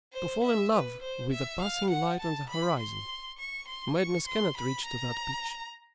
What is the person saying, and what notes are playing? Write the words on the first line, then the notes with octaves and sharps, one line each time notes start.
To fall in love with a passing light on the horizon, madness cannot reach to that pitch.
C5
E5
B4
C5
E5
F5
F#5
A5
B5
C6
C#6
C6
C#6
C6
B5
A#5